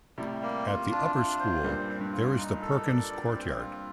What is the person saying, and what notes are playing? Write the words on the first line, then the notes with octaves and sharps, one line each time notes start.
At the Upper School, there is the Perkins Courtyard.
A2 C3 G3
A#3
F4
D4
F4
C5
G2 A#2 G3
C4
G2
F4
D#4
A4
D5
G3
C4
F4